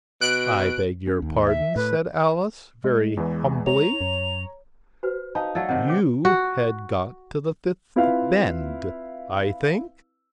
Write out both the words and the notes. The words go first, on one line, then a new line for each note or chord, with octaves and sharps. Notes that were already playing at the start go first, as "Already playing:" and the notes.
'I beg your pardon,' said Alice very humbly: 'you had got to the fifth bend, I think?'
B2 F#6 D7
C#4
D#2
E5
A2 B4
G#3
E2 E3
C#5 A#5 F7
F#2
F#4 B4 C5
D#4 F5 A5 B5
F#3 A3 A4 D5 F5
C3 D#3 F#5
C#4 C#5 D6
F#4
C4 E4 F4 B4 E5 F5